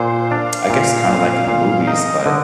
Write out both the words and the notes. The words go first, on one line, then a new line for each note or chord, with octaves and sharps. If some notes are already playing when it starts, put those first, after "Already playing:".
I guess kinda like in the movies, but
Already playing: A#2 C5
D4 F5
A#2
A#2
A#2
D#4 D#5
D3